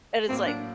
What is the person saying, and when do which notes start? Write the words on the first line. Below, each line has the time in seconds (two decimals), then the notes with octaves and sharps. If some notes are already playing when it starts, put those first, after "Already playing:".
and it's like,
0.29 A2 F#3 A#3 C4
0.47 D4